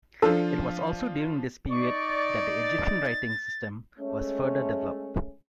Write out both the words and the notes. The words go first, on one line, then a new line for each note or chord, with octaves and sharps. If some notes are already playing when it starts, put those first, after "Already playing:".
It was also during this period that the Egyptian writing system was further developed.
F3 D4 F4 A4 A5
D#4 D5 C#6
A6
G#3 A3 C#4